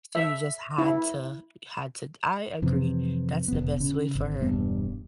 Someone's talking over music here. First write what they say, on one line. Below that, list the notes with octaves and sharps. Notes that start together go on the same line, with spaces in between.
S so you just had to, uh, had to I agree, that's the best way for her.
E5
E4
F2 C3 E3
E1 B3
C#3
G#1
E1 G2 B3